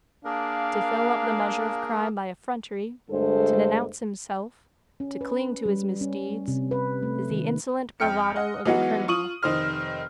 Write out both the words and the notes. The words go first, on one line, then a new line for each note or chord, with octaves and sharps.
To fill up the measure of crime by effrontery, to denounce himself, to cling to his misdeeds, is the insolent bravado of the criminal.
A#3 D4 G#4 A#4 F5
D2 G2 G#3 A3 A4 C5
C#4
B4
G3
C#4
C3
B4
A3
D#3
F2 G5 F6 C#7
D#5 F#5
E3 F#3 G#3 B3 D#4 F#4
F4 C#6 D#6 D#7 F#7
F1 D#3 C5 F6